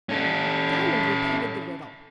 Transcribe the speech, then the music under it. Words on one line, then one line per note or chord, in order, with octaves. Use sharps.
Diamond repeated the riddle.
C#4 A4